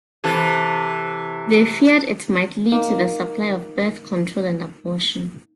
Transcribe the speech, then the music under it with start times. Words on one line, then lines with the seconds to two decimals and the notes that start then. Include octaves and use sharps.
They feared it might lead to the supply of birth control and abortion.
0.24 C3 E3 A4
2.72 A#3 D#4